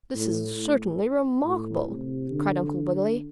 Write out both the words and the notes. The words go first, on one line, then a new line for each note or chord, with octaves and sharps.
"This is certainly remarkable!" cried Uncle Wiggily.
A2
A2
C3
D3